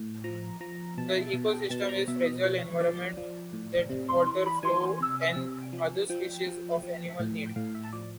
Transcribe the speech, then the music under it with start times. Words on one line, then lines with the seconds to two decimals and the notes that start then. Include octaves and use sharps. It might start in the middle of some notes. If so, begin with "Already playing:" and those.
The ecosystem is a fragile environment that waterfowl and other species of animals need.
Already playing: A2
0.24 F3 A#5
0.61 F3 A#5
0.98 B2 A5
1.34 B2
1.70 B2 A5
1.89 A#5
2.08 B2 E5
2.26 D#5
2.43 F3 C#5
2.80 F3 D5
3.17 F3
3.53 A2
3.90 C3
4.26 E3
4.63 E3 G#5
5.00 C3
5.36 C3
5.73 F3
6.10 F3 G5
6.47 F3
6.83 F3
7.20 A2
7.56 A2 F5
7.75 E5
7.93 F3 D5